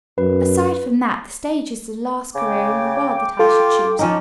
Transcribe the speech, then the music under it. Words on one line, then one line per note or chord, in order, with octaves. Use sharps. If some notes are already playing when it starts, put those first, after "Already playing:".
Aside from that, the stage is the last career in the world that I should choose.
F#2 B4
C#3 G5 D6
F4 A4
F3 C#4 D#4